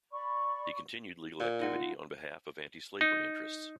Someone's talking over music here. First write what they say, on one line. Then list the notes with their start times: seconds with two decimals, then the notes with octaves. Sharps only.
He continued legal activity on behalf of anti-slavery interests.
0.12 D5 B5 C#6
1.40 A#2
1.60 D#4 F4 F#5
3.01 D#4